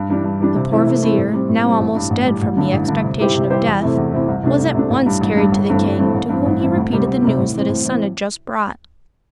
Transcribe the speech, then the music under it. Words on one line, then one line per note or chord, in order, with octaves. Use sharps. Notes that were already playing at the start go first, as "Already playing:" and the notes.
The poor vizier, now almost dead from the expectation of death, was at once carried to the King, to whom he repeated the news that his son had just brought.
Already playing: G2
E3 G3 D4
G2
E3 G3 D4
C3
E3 A3 C4 E4
C3
E3 A3 C4 E4
A2
G3 C4
A2
G3 C4
A1
G2 G3
A1
G2 G3
A1
G2 D3
A1
G2 D3
C3
G3 E4 G4 C5
C3
G3 E4 G4 C5
E2
C3 A3 C4 E4
E2
C3 A3 C4 E4
C2
C3 A3 D4
C2
C3 A3 D4
A1
G2 G3
A1
G2 G3
G1
G2 E3 A3 C4
G1
G2 E3 A3 C4
A1
G2 E3 C4
A1
G2 E3 C4
D2
C3 G3 C4
D2
C3 G3 C4
A2
E3 C4
A2
E3 C4